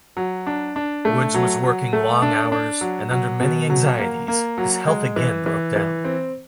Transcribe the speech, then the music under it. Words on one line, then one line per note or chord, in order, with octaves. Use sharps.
Woods was working long hours and under many anxieties, his health again broke down.
F#3
D4
D4
A3
F#3
F#3
A3
D4
D4
F#3
F#3
B2
F#3
A#3
A#3
F#3
G#3
E3
E3
E3
C4